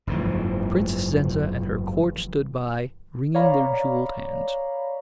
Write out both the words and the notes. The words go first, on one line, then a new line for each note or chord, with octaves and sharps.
Princess Zenza and her court stood by wringing their jeweled hands.
F#1 G#2 E3 F3
C#5 D5 F5 A#5 B5